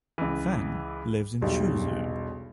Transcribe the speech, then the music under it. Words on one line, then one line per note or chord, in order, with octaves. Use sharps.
Fan lives in Suzhou.
C#2 E3
E1 B1 G3